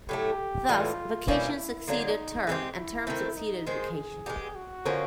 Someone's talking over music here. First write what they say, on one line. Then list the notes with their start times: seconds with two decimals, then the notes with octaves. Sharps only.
Thus, vacation succeeded term, and term succeeded vacation.
0.09 A2 F#3 A3 G4
0.69 A2 E3 G3 F4
1.28 B2 G3 A#3 C#4 E4
1.57 E4
1.87 D3 F#3 A#3 D4 D#4
2.47 G#3 C4 E4 G4
2.77 E4
3.07 D#3 F#3 A3 C4
3.37 D#4
3.67 D#3 G#3 C4 G#4
4.26 G#3 B3 D#4 G4
4.55 F#4
4.85 D3 F3 A#3 C#4